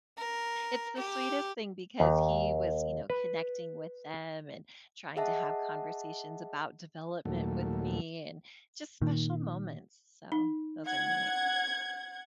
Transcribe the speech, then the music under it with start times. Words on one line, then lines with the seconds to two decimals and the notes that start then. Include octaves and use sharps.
it's the sweetest thing because he was, you know, connecting with them and trying to have conversations about development with me, and just special moments, so those are neat.
0.18 A#4
0.97 G4
2.00 D#2
3.10 B4
5.17 G#4 D#5 E5 F#5 A5
7.25 D#2 A#2 F#3 A3
9.02 A#2 D#3
10.32 D#4
10.86 F#5 G#6